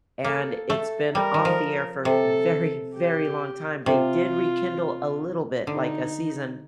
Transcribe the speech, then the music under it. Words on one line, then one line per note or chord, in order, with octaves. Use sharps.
and it's been off the air for a very, very long time. They did rekindle a little bit, like a season,
A#3 A4
A3 A4
G3 A#4
D#3
F3
C3 A4
G4
C3 F4
D3 D#4